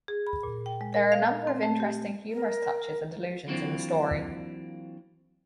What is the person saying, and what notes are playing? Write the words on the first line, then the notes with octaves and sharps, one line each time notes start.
There are a number of interesting humorous touches and allusions in the story.
G#4
B5
A#2
G5
G#3
A#4
F5
C4
A3
G4
A#4
E3 F#3 A#3 C4 D4 F4